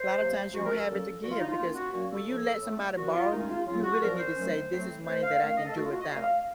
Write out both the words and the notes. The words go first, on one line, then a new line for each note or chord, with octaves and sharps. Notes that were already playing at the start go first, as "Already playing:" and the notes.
a lotta times you don't have it to give because when you let somebody borrow money, you really need to say this is money that I can do without.
Already playing: C5
C3 F#3 A#3
C3 F3 A3 C#4 F#4
A#4
A4
A#2 F#3 A#3 C#4
A#2 F3 A3 F#4
F4
D#4
F4
D#3 A#3 C#4 F4
F#4
A#2 F#3 A#3 C#4 F#4
A4
A2 F3 C4
A2 A3 C4
A#2 F3 C4 F#4
F4
D#3 A3 C#4 D#4
F4
C#3 F#3 C4 F4
F#4
A#2 F3 C4 A#4
C5
D#3 F#3 A3 C#4
A2 F#3 A3 C4
A2 A3 C4 C5
F5
D#3 A3 C#4 F5
D#5
A4
D#3 A3 C4 F#4
F4
F#4
D#5
A#2 A3 C4 F5
F5